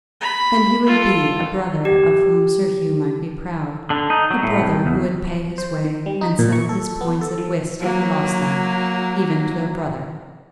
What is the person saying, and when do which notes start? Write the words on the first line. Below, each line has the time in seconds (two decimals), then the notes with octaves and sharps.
Then he would be a brother of whom Sir Hugh might be proud--a brother who would pay his way, and settle his points at whist if he lost them, even to a brother.
0.21 B5
0.86 F4 A4
1.85 G4
3.90 D3
4.10 D#4
4.31 F#3
4.43 A2
4.61 C2
4.86 E2
5.58 C5
5.84 D#3
6.06 G3
6.21 D#4
6.39 A#2
6.53 C#6
6.69 A4
7.01 B3
7.21 A4
7.38 F3
7.80 F#3 A#3